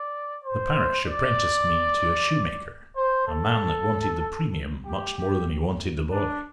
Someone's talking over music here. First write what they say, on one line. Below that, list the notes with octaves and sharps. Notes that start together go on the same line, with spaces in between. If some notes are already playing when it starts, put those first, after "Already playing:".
The parish apprenticed me to a shoe-maker, a man that wanted the premium much more than he wanted the boy.
Already playing: D5
C5
D5
C5
A4
G4
G4
D4